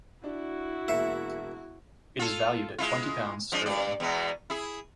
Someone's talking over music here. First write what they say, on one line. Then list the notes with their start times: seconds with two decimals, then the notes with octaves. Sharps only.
It is valued at twenty pounds sterling.
0.24 D4 E4 F#4
0.88 E1 A#3 E5 C#7
2.19 F4 A4
2.78 G#3 E4 F4
3.52 F3 G#3 D4
3.66 G2 D5
4.00 E2 B2 G#3
4.50 E4 G#4